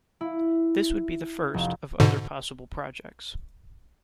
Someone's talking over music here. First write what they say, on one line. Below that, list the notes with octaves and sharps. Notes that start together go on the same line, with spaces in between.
This would be the first of other possible projects.
E4
F1
G#2 B2 D3